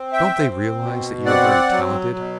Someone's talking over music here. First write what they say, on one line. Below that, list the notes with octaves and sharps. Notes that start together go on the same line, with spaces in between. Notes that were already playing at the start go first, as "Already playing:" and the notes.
"Don't they realize that you are very talented?"
Already playing: C4
E5 G5
C4
B2
C4 D5 F#5
F#3
B2